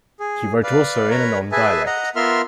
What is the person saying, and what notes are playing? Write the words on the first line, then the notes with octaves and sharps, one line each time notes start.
He wrote also in and on dialect.
G#4
B4 D5 F5
A#4 B4 C#5 A#5 B5
G#4 B4 E5 G#5 A5
D#5 F#5 A#5
B3 F4 A#4 E5 C6 F6